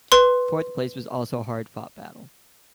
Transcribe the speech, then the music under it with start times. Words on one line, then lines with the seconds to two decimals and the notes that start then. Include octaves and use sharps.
Fourth place was also a hard fought battle.
0.12 B4 C6